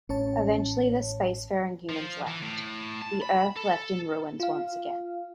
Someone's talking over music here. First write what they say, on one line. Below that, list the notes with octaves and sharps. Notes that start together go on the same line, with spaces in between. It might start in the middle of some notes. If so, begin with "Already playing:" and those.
Eventually the spacefaring humans left, the Earth left in ruins once again.
A1 C#4 C#5 A5
F3
E3
A2
A5
B5
A4
F4 F5